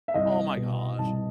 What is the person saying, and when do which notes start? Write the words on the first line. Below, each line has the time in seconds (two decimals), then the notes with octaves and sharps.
Oh my gosh.
0.08 E5
0.14 C2 D#5
0.57 B2
0.99 C2 A5